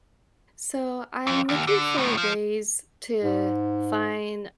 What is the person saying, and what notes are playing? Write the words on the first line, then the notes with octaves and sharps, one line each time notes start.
So, I'm looking for ways to find
F2
D#2
D3
D2 A2
F3
G#2